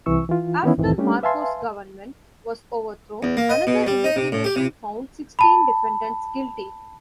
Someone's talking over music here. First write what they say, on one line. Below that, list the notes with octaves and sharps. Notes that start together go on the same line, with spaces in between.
After Marcos' government was overthrown, another investigation found sixteen defendants guilty.
C2 C3 E3 C#6 E6
E3 F4
D#3 E3 B3 C#4 E4
C2 F#2 A2 D#3 E3 C4
G3 A3 C#4 D4 G4
B4 E5 F5 G#5 A5 C6
E2
A#3
D#5
B2
G3
D#4
C3
A2
G4
C3
A5 B5